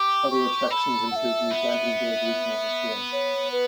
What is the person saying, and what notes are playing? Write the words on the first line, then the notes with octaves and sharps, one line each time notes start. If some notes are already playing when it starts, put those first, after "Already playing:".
Other attractions include Neubrandenburg Regional Museum.
Already playing: G4 D6
C#6
A4 B5
F#5
E5
B3
C#5
B4